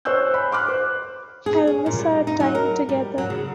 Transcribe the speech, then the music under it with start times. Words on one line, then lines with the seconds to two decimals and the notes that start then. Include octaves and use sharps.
I will miss our time together.
0.05 C5 C#5 G#5 E6 F#6 G6
0.34 B5
0.51 C6 D6 F6 F#6
0.68 C5
1.46 G#4
1.67 C#4
1.86 A#2
1.99 G3
2.27 D#4
2.40 F#3
2.55 A#4
2.89 G3
3.18 F#3
3.30 C#3